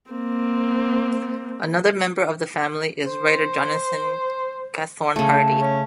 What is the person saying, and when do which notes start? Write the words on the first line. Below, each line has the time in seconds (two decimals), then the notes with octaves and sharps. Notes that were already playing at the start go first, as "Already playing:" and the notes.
Another member of the family is the writer Jonathan Gathorne-Hardy.
0.11 A#3 C4
3.05 C5
5.16 C#3 A3
5.60 C#4